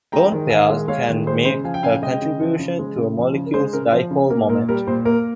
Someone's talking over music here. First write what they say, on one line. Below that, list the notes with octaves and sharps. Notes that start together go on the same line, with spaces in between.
Lone pairs can make a contribution to a molecule's dipole moment.
G#3 G5 A#5
D#3
D#3 F5 G#5
G#3
G#3 C#5 F5
D#3
G#3 C5
C#3 C5
F3 F5 G#5
G5
C#3 F5 G#5
G#3 D#5 G5
C#3
F3
C#3
G#3
C#3
F3
C#3
A#4
G#3 C5
C#3 A#4
F3 C5
C#3
A#3 A#4
A#2 A#4
G3 A#4
A#2 C5
A#3 A#4